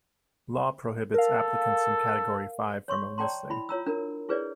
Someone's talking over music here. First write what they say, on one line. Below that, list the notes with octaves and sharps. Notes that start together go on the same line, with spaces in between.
Law prohibits applicants in Category Five from enlisting.
A4 A#4 F5
C#5 C6 C#6
C#5 D5 G5 A5 A#5 C6
E4 B5
F4 C#5 A#5 E6
D4 A#4 A#5
E4 G#4 B4 C#5 D5